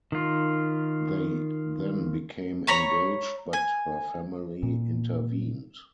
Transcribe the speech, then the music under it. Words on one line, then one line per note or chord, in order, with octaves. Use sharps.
They then became engaged but her family intervened.
D#3 F4
C#5 A#5 B5 C#6
G#5
A#2